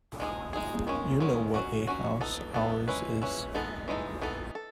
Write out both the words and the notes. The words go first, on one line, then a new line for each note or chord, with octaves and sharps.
You know what a house ours is.
G#3 D#4 G#4
G#3 D#4 G#4
D#3 G#3 C#4
D#3 G#3 C#4
F#3 C#4 F#4
F#3 C#4 F#4
B3 D#4 A4
B3 D#4 A4
G#3 C#4 E4 B4
G#3 C#4 E4 B4
E3 G#3 B3 D#4 A4
E3 G#3 B3 D#4 A4
E3 B3 D#4 A4
A4